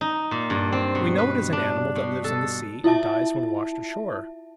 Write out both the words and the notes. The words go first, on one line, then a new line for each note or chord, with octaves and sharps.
We know it is an animal that lives in the sea, and dies when washed ashore.
D#4
A#2
G2
C4
B2
B4
D4
B2
A4
E4 F4 E5 A5